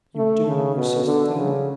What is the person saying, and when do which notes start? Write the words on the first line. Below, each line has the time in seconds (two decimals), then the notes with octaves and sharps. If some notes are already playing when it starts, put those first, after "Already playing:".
"You do persist, then?"
0.16 A3
0.46 C#3
0.76 B2
1.05 D3
1.35 C#3